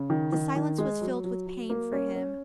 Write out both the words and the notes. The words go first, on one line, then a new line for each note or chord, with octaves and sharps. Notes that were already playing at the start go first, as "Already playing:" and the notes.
The silence was filled with pain for him.
Already playing: C#3
D#3
D#3
D#3
G#3
F#3
F#3
F#3
A#3
C#4
C#4